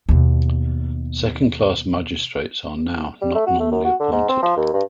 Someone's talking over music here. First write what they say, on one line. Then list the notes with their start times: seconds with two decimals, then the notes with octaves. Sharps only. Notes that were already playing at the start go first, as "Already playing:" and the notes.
Second Class Magistrates are now not normally appointed.
0.09 D#2 B2
3.21 G3
3.35 A3
3.46 F#4
3.60 A3
3.71 F#2
3.84 F#4
4.00 D3
4.12 G#2
4.29 C4
4.42 F3
4.57 D#2
4.73 G2